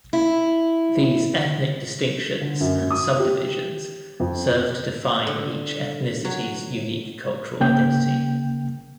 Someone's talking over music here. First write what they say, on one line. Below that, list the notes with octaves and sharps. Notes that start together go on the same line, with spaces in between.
These ethnic distinctions and subdivisions serve to define each ethnicity's unique cultural identity.
E4
D3
F#2
D#6
G4
F2
D3
F#3
C#3 A#3 G5 G6